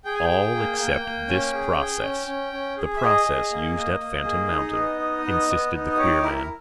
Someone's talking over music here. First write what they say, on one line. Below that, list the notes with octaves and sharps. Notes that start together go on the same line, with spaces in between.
"All except this process--the process used at Phantom Mountain," insisted the queer man.
G#4 G5
G#5
G5
G#4
A#3
A#3
A#3
C#4
G#4
G#4
C#4
C#4
C#4
G#4
E5
G#4 D#5
G#4
A#3
A#3
A#3
G#4
D#4
B3
D#4
B3
B3
D#4
D#5
G4 C#5
E4 A#4
A#4